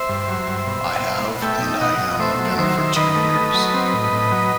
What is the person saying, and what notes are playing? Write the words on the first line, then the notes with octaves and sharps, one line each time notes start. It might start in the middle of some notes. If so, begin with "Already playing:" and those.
I have, and I am — been for two years.
Already playing: C5 E5
G2
F#3
G2
B2
B2
B2
B2
A3 E5 G5
D#4
B2 D#5 F#5
B2
A3 C5 E5
F#3
D#3 C5 E5
D#3
D#3 B4 D#5
A3
A3
F#3
C4
A2
A2
F#3